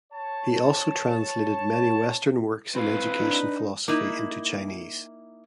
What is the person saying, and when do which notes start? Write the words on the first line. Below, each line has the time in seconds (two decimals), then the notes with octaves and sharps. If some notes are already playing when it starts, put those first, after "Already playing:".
He also translated many Western works in education philosophy into Chinese.
0.13 C#5 A5
2.75 C4 E4 B4 F5
3.19 D4 D#4
3.88 A#3 D#4 E4